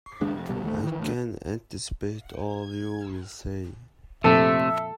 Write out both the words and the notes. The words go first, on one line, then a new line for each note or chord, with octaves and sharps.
I can anticipate all you will say.
F#1 D#2 G#3 D4
F1
G1 C2 B2 G3
D#2 F#3 A3
D#3 E3
A1 D2
A#1 F2 C3 A3 A4 E5